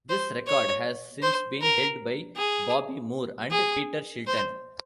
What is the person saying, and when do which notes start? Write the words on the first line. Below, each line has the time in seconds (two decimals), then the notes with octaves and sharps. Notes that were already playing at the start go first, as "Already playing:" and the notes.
This record has since been held by Bobby Moore and Peter Shilton.
0.09 C5
0.47 C#5
1.23 C5
1.61 A#4
2.37 G#4
3.51 G#4
4.27 C5